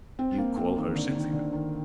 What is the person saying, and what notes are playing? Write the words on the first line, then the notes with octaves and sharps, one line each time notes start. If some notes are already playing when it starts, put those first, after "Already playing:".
"You call her Cynthia?"
C4
A#3
C4
D#3
D3
D#3
D3
D#3